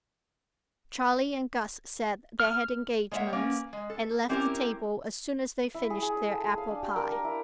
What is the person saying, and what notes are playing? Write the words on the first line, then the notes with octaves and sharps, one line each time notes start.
Charley and Gus said they had engagements and left the table as soon as they finished their apple pie.
F6
G#3 A#3 C#5 D#5 E5 F#5
A#3 B3 C#4
G#3
A4
G3 C4 C#4 E4 G4 A#4
E4
G#4
G#4
E5
A4
G#4
F5
D4
G4
A#4
A#4
E4